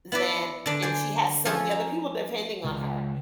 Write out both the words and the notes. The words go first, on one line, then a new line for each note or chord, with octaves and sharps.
than and she has so many other people depending on her,
B3 E4 B4 D5
D3 D4
C5 D5 G#5
F3 C#4 A4 C#5
A#5
C#2